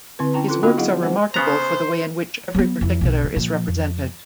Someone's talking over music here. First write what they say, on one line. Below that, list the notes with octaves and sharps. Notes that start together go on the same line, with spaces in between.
His works are remarkable for the way in which every particular is represented.
D3 C4 E4 B4
C#4 E4 G5 A5 A#5
F4 A4 C6
B3 D4 F4 F#4 D#5 B5
F#3 E4 G#4 D#5 F5 F#5
G#3 C4 D#4 F4 C5 F#5
C#3 B3 C5 A#5
F#3 B3
F2 E3
B1 B2
F3
A#2 F3
F2